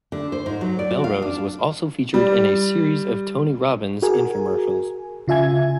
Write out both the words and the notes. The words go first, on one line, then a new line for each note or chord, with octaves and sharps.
Melrose was also featured in a series of Tony Robbins infomercials.
D3
C5
G#2
F#3
D5
F#4
F5
D4
G3
F#4 G#4 A#4 G#5
C#3 F4 E5 G#5 G#6